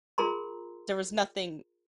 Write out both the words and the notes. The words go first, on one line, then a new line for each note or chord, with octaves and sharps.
there was nothing,
F4 G#4 A#4 A#5 C6